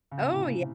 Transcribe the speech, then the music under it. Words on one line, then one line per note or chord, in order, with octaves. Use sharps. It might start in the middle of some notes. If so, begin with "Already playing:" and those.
Oh, yeah.
C#3
C3
A2
C3